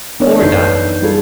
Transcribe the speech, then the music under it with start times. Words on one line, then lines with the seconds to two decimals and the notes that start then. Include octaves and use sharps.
Poor Dot!
0.20 E3 B3 D4 A#4 C#5 D5
0.41 A1 F#2 D#4 B4 G6 C7
1.02 G3 F4 G#4 A4